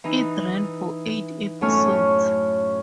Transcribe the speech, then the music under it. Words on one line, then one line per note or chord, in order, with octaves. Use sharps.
It ran for eight episodes.
E3 D#4
F#2 A2 A3 C#4 C#5 F6